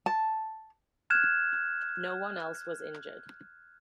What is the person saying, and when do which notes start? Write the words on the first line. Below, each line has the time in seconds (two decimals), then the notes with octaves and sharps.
No one else was injured.
0.06 A5
1.10 F6 F#6 G#6 E7